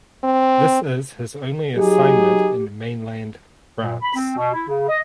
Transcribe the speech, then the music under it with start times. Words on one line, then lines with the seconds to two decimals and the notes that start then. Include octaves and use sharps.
This is his only assignment in mainland France.
0.24 C4
1.75 F#3 D#4 G4 G#4
3.81 A#2
4.02 B5
4.15 C4
4.36 B2
4.53 E4
4.68 C#3
4.89 D#5